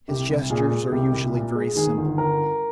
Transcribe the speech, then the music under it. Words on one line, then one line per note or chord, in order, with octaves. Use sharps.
His gestures are usually very simple.
C2 G4
C2
A#2 G#4
G#3
C2 G4
C2
A#2
G#3
D#3 G#4
G1
A#4